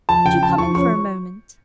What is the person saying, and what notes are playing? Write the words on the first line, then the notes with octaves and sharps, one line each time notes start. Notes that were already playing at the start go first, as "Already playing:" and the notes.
Would you come in for a moment?
F3 A5
C#3 G5
F3 A5
F3 C#6
C#4 C#6